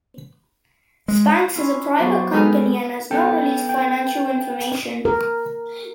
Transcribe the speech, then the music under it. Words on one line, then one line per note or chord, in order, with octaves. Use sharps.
Spanx is a private company and has not released financial information.
G#3
C#4 E4 F4
F#3 B3 D4 F#4 C5 D5
G#3 G#4 A4 B4 G5 F6
B3 A4 G5
G5
A#4